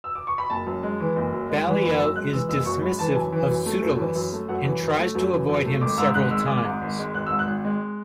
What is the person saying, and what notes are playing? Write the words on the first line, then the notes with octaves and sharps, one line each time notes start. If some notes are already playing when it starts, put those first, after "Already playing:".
Ballio is dismissive of Pseudolus, and tries to avoid him several times.
E6
D6
C#6
B5
F#1 A5
F#2
G#3
E3
F#1
F#2
G#3
E3
F#1 B5
F#2 E6
G#3 F#6
E3 E6
F#1 E6
F#2 C#6
G#3 B5
E3 A5
F#2 G#5
E3
F#2
A3
F#2
E3
F#2
A3
F#2 F#5
E3
F#2
A3
F#2
E3
F#2
A3
G#1 D6
G#2 E6
G#1 F#6
G#3 E6
G#1 D6
G#2
G#1
G#3
G#1 F#6
G#2 E6
F#6
G#1
G#3